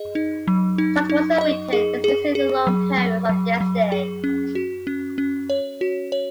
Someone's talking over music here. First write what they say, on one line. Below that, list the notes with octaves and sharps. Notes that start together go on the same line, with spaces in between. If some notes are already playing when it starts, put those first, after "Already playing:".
Short works are written, dismissing the long poems of yesterday.
Already playing: G#4 D#5
D#4
F#3
D#4
D#4
D#5
G#4
G#4
G#4
F#3
F#3
F#3
F#3
G#4
C#4
F#4
C#4
C#4
C#5
F#4
C#5